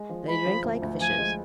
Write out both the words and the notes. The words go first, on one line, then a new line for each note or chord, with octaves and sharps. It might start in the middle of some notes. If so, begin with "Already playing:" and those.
They drank like fishes.
Already playing: G#3
F3
G#3 B5
F3
D2
D2
F3 G#5
G#3